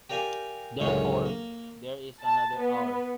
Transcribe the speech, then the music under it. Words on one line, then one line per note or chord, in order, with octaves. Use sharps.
Therefore, there is another hour.
G4 A#4 D5 F5 G#5
C#2 F#2 A2 D3 C#4 F5
A#3
A5
B3